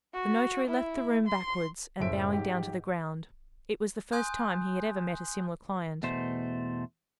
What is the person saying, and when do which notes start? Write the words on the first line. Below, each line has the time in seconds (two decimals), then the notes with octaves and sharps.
The notary left the room backwards, and bowing down to the ground; it was the first time he had ever met a similar client.
0.14 F#4
0.68 E4
1.28 C6
2.00 F#1 A2 C5 E5 D7
2.33 G#2 G4
4.12 G#5 C6 D#6 F#6 G6
6.03 E2 B2 A3 C5